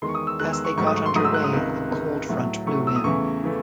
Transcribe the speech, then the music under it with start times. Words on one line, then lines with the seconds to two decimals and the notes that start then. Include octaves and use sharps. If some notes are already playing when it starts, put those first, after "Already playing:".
As they got underway, a cold front blew in.
0.02 E2 D#3 G#3 C6
0.09 C#6
0.15 D#6
0.27 E6
0.40 E2 D#3 G#3 F#6
0.53 E6
0.65 C#6
0.77 G#2 F#3 A3 C#6
0.87 D#6
0.97 C#6
1.06 C6
1.15 G#2 F#3 A3 D#6
1.25 E6
1.34 F#6
1.44 D#6
1.53 C#2 C3 D#3
1.91 C#2 C3 D#3
2.29 A2 F#3 A3
2.67 A2 F#3 A3 C#6
2.87 E6
2.96 D#6
3.04 E2 C#3 E3 A3 C#6
3.44 C#3 E3 A3